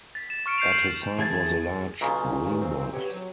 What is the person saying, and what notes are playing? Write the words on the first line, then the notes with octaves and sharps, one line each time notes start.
At his side was a large green box.
A6 B6
E7
C#6 F6 C#7 D7
G6 C7 F7
F#7
E3 G#4 G#5 A5
B1 A#2 C#3
G2 D#3
C4
B3 G4 C#5
F#3